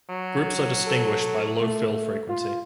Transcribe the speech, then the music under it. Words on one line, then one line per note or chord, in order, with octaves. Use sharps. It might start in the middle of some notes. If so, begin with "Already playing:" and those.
Groups are distinguished by low fill frequency.
F#3
A4
A3
F4